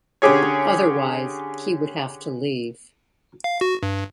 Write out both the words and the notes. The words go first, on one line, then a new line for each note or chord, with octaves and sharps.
Otherwise, he would have to leave.
D3 C#4 G4 G#4 C#5
F5
F#4
G2